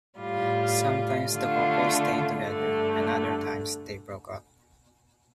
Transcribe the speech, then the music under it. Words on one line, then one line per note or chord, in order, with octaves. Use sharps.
Sometimes the couples stayed together, and other times they broke up.
A2 G3 F4
D3 A3 F4
G2 D3 A3